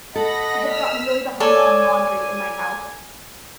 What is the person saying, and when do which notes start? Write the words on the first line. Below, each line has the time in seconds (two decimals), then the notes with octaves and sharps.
had gotten really behind on laundry in my house
0.15 A4 D#5 F#5 B5 A#6
0.69 E6 F6 B6
1.40 A4 C#5 D5 G#5